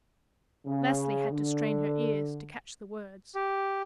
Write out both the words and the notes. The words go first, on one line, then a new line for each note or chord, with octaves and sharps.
Leslie had to strain her ears to catch the words.
C#3
D3
G4